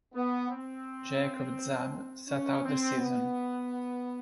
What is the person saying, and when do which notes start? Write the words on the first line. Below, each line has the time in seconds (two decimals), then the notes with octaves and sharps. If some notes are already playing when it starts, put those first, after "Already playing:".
Jacob Zab sat out the season.
0.14 B3
0.49 C4
2.27 C#4
2.64 C4
2.99 B3